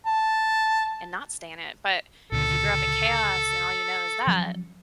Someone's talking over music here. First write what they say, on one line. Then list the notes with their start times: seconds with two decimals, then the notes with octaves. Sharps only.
and not stay in it, but if you grew up in chaos and all you know is that
0.06 A5
2.32 C#2 A#2 D3 A4
4.27 F3 F#3 C#4